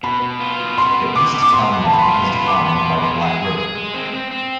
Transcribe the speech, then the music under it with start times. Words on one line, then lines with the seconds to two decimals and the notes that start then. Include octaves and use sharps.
The east town line is defined by the Black River.
0.03 B2 B5
0.22 B2
0.40 F4
0.59 B2
0.77 B3 C6
0.97 B2
1.15 B2 D6
1.34 B3
1.42 D6
1.53 B2 C6
1.71 B3
1.85 A5
1.90 B3 B5
2.02 C6
2.08 F4
2.26 B3 B5
2.45 B3 D6
2.51 C6
2.65 B3
2.76 C6
2.82 B2
3.02 G#3 C6
3.20 G#4
3.39 G#4
3.58 G#4
3.75 G#3
3.94 C4
4.13 C4
4.31 C4